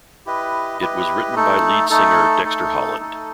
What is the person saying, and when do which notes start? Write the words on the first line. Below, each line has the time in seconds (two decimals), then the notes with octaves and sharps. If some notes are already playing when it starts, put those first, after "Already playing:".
It was written by lead singer Dexter Holland.
0.26 E4 G4 B4 D#5
0.80 E4 G4 B4 D#5
1.35 A3 D#4 A4
1.90 A3 D#4 A4
2.44 A3 D#4 A4
2.99 A3 D#4 A4